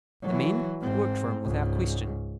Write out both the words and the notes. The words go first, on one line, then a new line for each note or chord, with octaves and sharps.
The men worked for him without question.
E3 F#3
G#2 C4
C#2 G#2